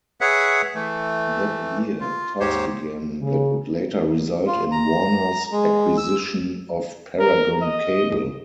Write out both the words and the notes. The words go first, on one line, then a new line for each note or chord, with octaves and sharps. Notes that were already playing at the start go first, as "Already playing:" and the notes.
That year, talks began that would later result in Warner's acquisition of Paragon Cable.
G#4 B4 C#5 E5 F#5
E3 A3
F4
D#2 G#2 G4 C5 C#5
C#3
F4
A#5
G#3
E6
A#4
D#5